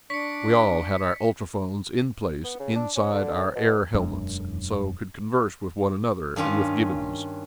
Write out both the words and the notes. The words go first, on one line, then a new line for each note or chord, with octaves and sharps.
We all had our ultrophones in place inside our air helmets, and so could converse with one another and with Gibbons.
D4 D5 C#6 B6 C#7
B3
C#3
D4
C#4
D3
B2
E1 F#2 G#3 D4
G2 D#3 C#4 F4